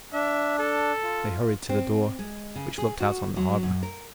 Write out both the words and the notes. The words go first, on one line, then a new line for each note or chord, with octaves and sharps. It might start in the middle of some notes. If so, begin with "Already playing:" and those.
They hurried to the door, which looked out on the harbour.
D4 E5
A4
F4
C4
G#3
C#3
G#4
F#4
F#3
F#2
A#4